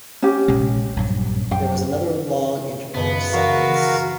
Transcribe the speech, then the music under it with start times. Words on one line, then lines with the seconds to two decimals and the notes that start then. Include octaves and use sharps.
There was another long interval of silence.
0.22 C#4 G4
0.48 A#1 C3 G#3
0.97 A#1 G2 F#3
1.51 F#2 G5
2.94 C#2 F#2 D#3 B3
3.33 E3 F3 D4 F#4 A#4 F5